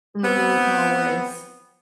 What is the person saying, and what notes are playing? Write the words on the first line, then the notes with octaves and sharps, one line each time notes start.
Mhm, always.
B3 C4